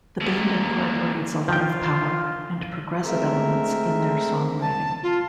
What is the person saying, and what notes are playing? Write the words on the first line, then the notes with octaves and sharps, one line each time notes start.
The band incorporates a lot of power and progressive elements in their songwriting.
D#2 A#2
F3 F4 G5
G#3 A3 C4 A#4 E5
A5
F4